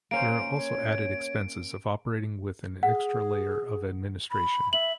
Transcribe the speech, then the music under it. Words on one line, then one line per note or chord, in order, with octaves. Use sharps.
There are also added expenses of operating with an extra layer of administration.
A#3 C#4 C5 D7
C#5
G#4 F#5
B5
E5 F#7